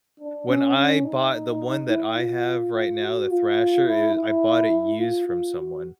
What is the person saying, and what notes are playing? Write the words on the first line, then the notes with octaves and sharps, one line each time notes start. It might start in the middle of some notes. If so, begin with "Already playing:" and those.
When I bought the one that I have right now, the thrasher, it I bought it used from someone
D4
C#4
C#4
D#4
E4
F4
F#4
F4
E4
E4
F4
F4
F#4